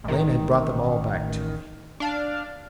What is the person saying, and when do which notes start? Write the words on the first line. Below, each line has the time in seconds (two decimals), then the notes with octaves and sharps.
Lena had brought them all back to me.
0.04 A1 D#3
2.00 D4 F5